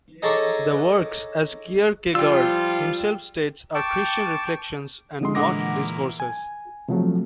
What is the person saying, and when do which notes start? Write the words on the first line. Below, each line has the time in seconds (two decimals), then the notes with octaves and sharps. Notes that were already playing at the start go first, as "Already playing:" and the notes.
The "Works" as Kierkegaard himself states are Christian reflections and not discourses.
0.22 D#4 G#4 A4 C#5 A#5 D6
2.15 F3 G3 F4 G5 E6
3.75 G5 A5 C#6 D6
5.21 D3 G#3 C6
5.35 A#2 E3 F#5 D6 A#6
6.20 G#5
6.88 C3 F3 F#3 A3